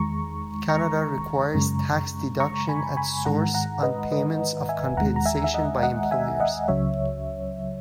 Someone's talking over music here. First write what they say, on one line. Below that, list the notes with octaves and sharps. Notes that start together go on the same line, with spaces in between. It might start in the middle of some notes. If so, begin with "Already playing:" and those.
Canada requires tax deduction at source on payments of compensation by employers.
Already playing: E2 D#3 G#3 A#5 C#6
A#5 C#6
F#2 C#3 G#3
A#5 C#6
G#5 B5
G#5 B5
G#2 D#3 G#3 F#5 A#5
F#5 A#5
B4 D#5
B4 D#5
E5 G#5
D#2 D#3 G#3 F#5 A#5
A#5
E5 G#5
E5
D#5 F#5
D#5 F#5
E5 G#5
D#5 F#5
C#2 C#3 F#3 C#5 E5